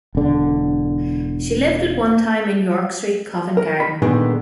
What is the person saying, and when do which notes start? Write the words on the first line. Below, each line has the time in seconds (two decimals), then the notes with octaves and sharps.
She lived at one time in York Street, Covent Garden.
0.15 E1 D3
3.57 A#4
3.80 B5
4.02 A#2 D3 D#3 G#3 B3 D#4